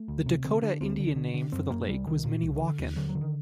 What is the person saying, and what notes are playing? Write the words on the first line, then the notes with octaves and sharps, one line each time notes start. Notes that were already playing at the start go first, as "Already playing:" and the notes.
The Dakotah Indian name for the lake was Minnewaukon.
Already playing: A3
D2
C3
D3 C4
D3 D4
D2 C4
D3
D3
D3
F#2 C4
F#2 A#3
C2 G3
C2 D#3
A#2
C2
D3
D#2
D3 F#3
F#3
D3
D#3